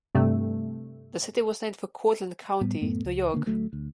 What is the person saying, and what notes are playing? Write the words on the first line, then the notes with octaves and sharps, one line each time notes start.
The city was named for Cortland County, New York.
G2 C3 A3
A2 G3 B3
F#2 A2 A3 B3
C#2
D3 A#3
D2 F#3 A3
D2